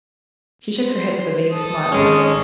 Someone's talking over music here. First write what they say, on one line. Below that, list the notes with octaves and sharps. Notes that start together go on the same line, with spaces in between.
She shook her head with a vague smile.
C5
A4 D#6
G#1 G#3 C#4